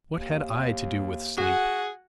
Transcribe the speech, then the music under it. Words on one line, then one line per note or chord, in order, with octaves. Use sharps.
What had I to do with sleep?
D#2
F#4 G#4 F#5 G#5